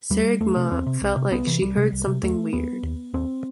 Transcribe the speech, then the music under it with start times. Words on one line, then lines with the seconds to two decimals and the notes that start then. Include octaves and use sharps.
Tseregmaa felt like she heard something weird.
0.10 D#2 G3
0.41 E2 A3
0.56 C3
0.71 E2 C4
0.86 C3
1.01 C2
1.16 C3
1.31 C2 B3
1.47 C3 E3
1.62 C2 G3
1.77 C3
1.92 C2
2.07 C3
2.23 D#2 A3
2.53 D#2 B3
2.83 D#2
3.14 D#2 C4